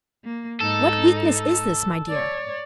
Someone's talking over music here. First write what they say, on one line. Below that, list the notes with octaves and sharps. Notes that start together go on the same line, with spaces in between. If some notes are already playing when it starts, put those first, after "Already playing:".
What weakness is this, my dear!
A#3
G#2 D#4 A4
C#5 D5